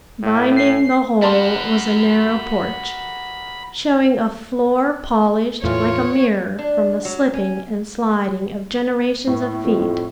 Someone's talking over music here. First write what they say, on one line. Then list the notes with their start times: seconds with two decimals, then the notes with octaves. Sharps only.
Binding the whole was a narrow porch, showing a floor polished like a mirror from the slipping and sliding of generations of feet.
0.23 A2
0.57 C7
1.22 F#4 A#4 D5 A5 B5 C6
5.63 E2 A2 E3 F4 C#5
6.59 D4
7.05 F#3
7.34 C#4
9.27 A2
9.64 F2